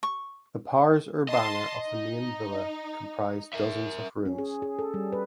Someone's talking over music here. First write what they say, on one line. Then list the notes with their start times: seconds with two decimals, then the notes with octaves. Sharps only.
The "pars urbana" of the main villa comprised dozens of rooms.
0.03 C#6
1.29 D#5 A5 C6
1.88 D#4
3.53 A#4 E5
4.26 C#4
4.38 G#4
4.62 G#4
4.79 A4
4.94 G3
5.12 B4